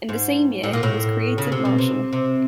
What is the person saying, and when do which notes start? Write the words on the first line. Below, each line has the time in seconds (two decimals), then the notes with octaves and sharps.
In the same year he was created marshal.
0.09 G#2
0.64 A2
0.73 A#2
0.83 A2
1.38 C#3
1.52 C3
1.65 B2
1.78 C3
2.13 C3